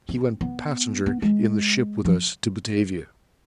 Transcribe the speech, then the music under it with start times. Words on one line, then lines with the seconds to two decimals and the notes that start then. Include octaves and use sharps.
He went passenger in the ship with us to Batavia.
0.09 C4
0.41 B3
1.06 B3
1.22 G#3
2.05 F3